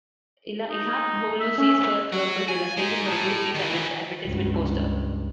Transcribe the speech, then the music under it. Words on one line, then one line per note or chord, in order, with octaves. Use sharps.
Ihap Hulusi's first work was the illustration for a toothpaste advertisement poster.
D#4
E5
C#4 E5
F#3 F#4
G#5
G#3 D#4
A2
D#3 E3
C#2 G2